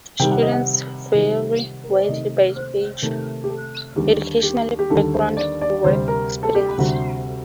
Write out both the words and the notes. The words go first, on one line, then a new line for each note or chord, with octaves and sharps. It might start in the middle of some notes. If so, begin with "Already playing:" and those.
Students vary widely by age, educational background, work experience.
C3 D#3 G3 G5
F#5
D#5
F#5
C3 D#3 G3
A#4
C5
D5
C3 D#3 A3 D#5
C5
C3 D#3 A3 A#4
G4
A4
D#2 D3 G3 G4
G4
G4
D#2 D3 G3 A4
C5
D5
D5
D2 C3 G3 C5
A#4
A4
G4
D2 C3 G3 F#4